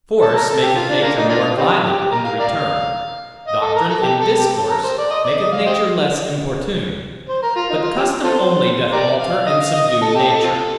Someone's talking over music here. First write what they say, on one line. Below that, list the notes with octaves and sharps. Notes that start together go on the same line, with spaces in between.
Force, maketh nature more violent in the return; doctrine and discourse, maketh nature less importune; but custom only doth alter and subdue nature.
A4
A#4
A4
G4
F4
D4
A#3
D#4
A#3 D4 F4
C4 D#4 G4
G4
G4
A#4
F5
A#4 D5 F5
D#5
A4
A#4
A4
G4
A4
G4
A4
A#4
C5
D5
D#5
D5
D#5
F5
G4 C5 D#5
C5
A#4
F4
D#4
F4
G4
F4 A4 C5
G4 A#4 D5
F5
D#5
F5
D#5
D#5
A4
G4
A4
C4 F4 A4